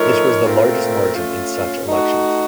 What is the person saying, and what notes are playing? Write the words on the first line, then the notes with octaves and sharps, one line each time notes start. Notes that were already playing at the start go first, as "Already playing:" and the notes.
This was the largest margin in such elections.
Already playing: F3 A3 D#4 A#4 C#5
A#2 A3 C4 F4 A#4
A3 C#4 F4
A3 D#4 F#4